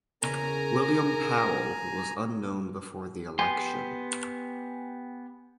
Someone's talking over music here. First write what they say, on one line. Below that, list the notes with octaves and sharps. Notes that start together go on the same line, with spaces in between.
William Powell who was unknown before the election.
E2 C#3 A#4 G#5 A#5
B3 G4 G#5 C6